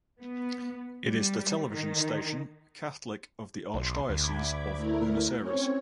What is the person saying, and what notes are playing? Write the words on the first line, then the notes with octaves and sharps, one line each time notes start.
It is the television station Catholic of the Archdiocese of Buenos Aires.
B3
G3
D#3
B1 C6
D2 B5 D6 G#6
A3 E4 A#4
C4 C#4 C#5